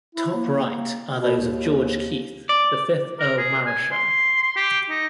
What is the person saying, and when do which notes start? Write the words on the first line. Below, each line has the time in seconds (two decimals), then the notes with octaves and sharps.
Top right are those of George Keith, the fifth Earl Marischal.
0.15 E4
0.34 A#3
1.19 B2
1.38 D#2
2.49 D5
3.19 A#4
3.38 G#4
3.66 G#5
3.91 C6
4.56 G4
4.90 D#4